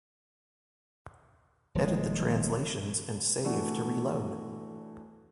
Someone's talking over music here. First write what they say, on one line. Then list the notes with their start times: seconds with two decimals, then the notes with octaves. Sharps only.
Edit the translations and save to reload!
1.75 D#1 F3 G#3
3.44 E3 A3 D4 F#4